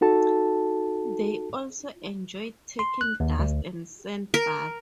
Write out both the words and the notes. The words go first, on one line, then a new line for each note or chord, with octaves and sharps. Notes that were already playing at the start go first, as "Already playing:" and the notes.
They also enjoy taking dust and sand baths.
D#4 F#4 A4 A5
C6
F#6
D#2
D2
A#4